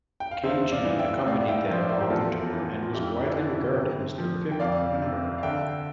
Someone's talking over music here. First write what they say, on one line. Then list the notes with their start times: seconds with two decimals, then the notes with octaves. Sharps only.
K-Gee accompanied them on their tour and was widely regarded as their fifth member.
0.20 G5
0.31 F5
0.44 E2 C5 E5
0.72 D5 F5
0.85 E3
0.99 E5 G5
1.26 A2 D5 F5
1.48 E5 G5
1.66 A#4
1.69 F3 C5
1.81 D5
1.89 C5 E5
2.01 G4
2.10 E2 F4 A4
2.52 E3
2.82 F4
2.94 F2 E4 G4
3.21 E4 G4
3.36 D3
3.49 E4
3.76 C3
4.18 F3
4.52 G5
4.60 F2 D5 F5
5.02 C3
5.38 F5
5.43 D3 E5 G5